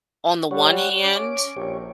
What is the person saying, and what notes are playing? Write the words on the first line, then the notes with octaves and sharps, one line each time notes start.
on the one hand
G3 G4 C#5 F#5
C#4 D6
A#1 G4 C#5